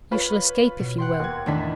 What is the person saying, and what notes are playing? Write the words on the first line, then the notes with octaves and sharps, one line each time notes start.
You shall escape, if you will.
F4 B4 C#5
B2
F#5 G5 C6
D#2 G#6
E2 A2 D#3 D4 B6